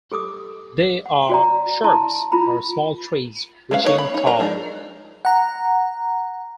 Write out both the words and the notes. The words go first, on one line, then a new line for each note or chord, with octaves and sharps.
They are shrubs or small trees, reaching tall.
G4 A4 D6 D#6
F#5
F#4 D5 A#5
E4 A5 A#5 C6
E4 F4 A#5 B5
G#3 C#4 B4 F5
A#3 B3 D#4 G#4 C#5
B5
D#4 C#5
F#4 A#4 A#5
F3 G#3 D4 D#4
F#5 A#5